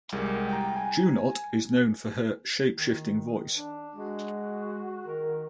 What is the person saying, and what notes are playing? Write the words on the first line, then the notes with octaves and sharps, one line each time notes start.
Junot is known for her "shapeshifting voice".
C2 G3 G#3 G4 A#4
G5 A#5
G#5
D#3
D4
G#3 F#4
D#3 A#4